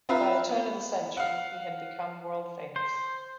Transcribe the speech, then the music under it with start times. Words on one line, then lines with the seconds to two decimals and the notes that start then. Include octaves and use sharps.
By the turn of the century, he had become world-famous.
0.09 C4 F4 B4 E5 F5 A#5
0.49 B3
1.17 F5 F#5
2.76 C5